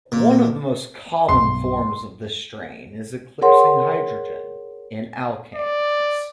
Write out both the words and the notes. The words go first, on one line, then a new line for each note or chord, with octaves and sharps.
One of the most common forms of this strain is eclipsing hydrogen, in Alkanes.
A#2
B1 G2 C6
G#4 A#4 C#5 F#5 C6
D5